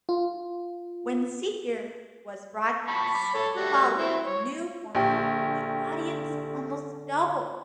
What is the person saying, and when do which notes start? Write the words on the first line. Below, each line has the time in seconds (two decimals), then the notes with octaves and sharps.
When "See Hear" was broadcast following the new format the audience almost doubled.
0.09 F4
2.87 A5 B5 C#6
3.14 B5 D6
3.34 A4 C#5
3.56 G3 A3 F#4
3.98 C4 E4
4.27 C#5
4.95 A#1 D3 G4